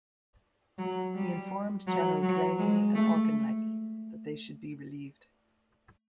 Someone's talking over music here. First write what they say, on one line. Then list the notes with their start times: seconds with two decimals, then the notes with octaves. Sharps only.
He informed Generals Blamey and Auchinleck that they should be relieved.
0.78 F#3
1.15 G3
1.87 F#3
2.22 F#3
2.59 G#3
2.95 A3